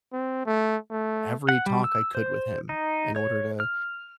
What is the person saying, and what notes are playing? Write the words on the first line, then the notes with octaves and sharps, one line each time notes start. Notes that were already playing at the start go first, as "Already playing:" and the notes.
every talk I could with him in order to,
C4
A3
A3
F#5
G3
E6
C5
D#4
C#5
F6